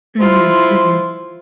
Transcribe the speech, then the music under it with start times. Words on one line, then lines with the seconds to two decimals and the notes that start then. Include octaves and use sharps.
Mhm, mhm.
0.20 E4 F4 C5